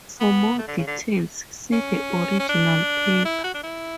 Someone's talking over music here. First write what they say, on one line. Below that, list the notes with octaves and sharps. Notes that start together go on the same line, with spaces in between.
For more details see the original paper.
B3
A3
D3
C#3
D3
C#4
C#4
D4
E4
F#4
D4
E4